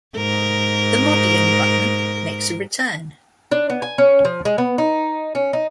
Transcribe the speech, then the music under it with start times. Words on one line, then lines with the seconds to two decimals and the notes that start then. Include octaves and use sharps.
The modeling button makes a return.
0.16 G#2 A#4
3.51 D4
3.70 B3
3.82 G#5
3.98 C#4
4.25 F3
4.45 G#3
4.58 B3
4.78 D#4
5.35 C#4
5.53 D#4